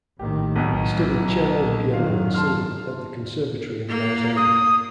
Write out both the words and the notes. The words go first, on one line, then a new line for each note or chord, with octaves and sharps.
He studied cello, piano and singing at the Conservatory of Lausanne.
A#1 A2 D#3 G4
B1 B2
E3 F#3
A#2
F#2 D#3 F#3 F4 F5
A5 C6 F6
A#3 B3
D#6